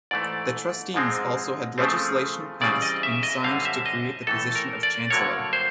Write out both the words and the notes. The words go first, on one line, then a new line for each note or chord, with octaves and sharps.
The trustees also had legislation passed and signed to create the position of chancellor.
G#2 E3 A3 D5
G#2 F3 G#3 C4
C#3 F3 A3 C4
C#3 E3 G3 C4 D5
D#5
E5
D#5
F#2 D3 G3 C4 F5
E5
D#5
A2 E3 A3 A4
A#4
D5
G2 D3 F#3 A#3 C#5
C5